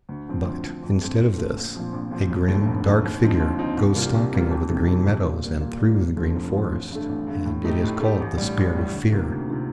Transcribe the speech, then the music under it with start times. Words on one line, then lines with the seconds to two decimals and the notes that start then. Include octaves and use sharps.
But instead of this, a grim, dark figure goes stalking over the Green Meadows and through the Green Forest, and it is called the Spirit of Fear.
0.09 D2
0.27 D3 F3 C4
0.45 D2
0.64 D3 F3 C4
0.83 F2
1.00 D3 A3 C4
1.19 F2
1.38 D3 A3 C4
1.56 A#1
1.74 A#2 F3 C4
1.93 A#1
2.11 A#2 F3 C4
2.30 F1
2.48 D#2 D3 A3
2.66 F1
2.85 D#2 D3 A3
3.04 D#2
3.22 D3 F3 C4 D#4
3.40 D#2
3.58 D3 F3 C4 D#4
3.77 C2
3.95 C3 G3 A#3 F4
4.15 C2
4.33 C3 G3 A#3 F4
4.51 F2
4.69 C3 D#3 A3
4.87 F2
5.06 C3 D#3 A3
5.24 A#2
5.44 G3 A#3
5.61 A#2
5.80 G3 A#3
5.98 F1
6.16 D#2 D3 F3 A3
6.35 F1
6.54 D#2 D3 F3 A3
6.72 A1
6.91 G2 D3 A3
7.09 A1
7.27 G2 D3 A3
7.45 A2
7.64 A3 D#4 G4
7.83 A2
8.00 A3 D#4 G4
8.20 A1
8.37 A2 G3
8.57 A1
8.75 A2 G3
8.93 D2
9.12 C3 D#3 A#3 F4
9.31 D2
9.49 C3 D#3 A#3 F4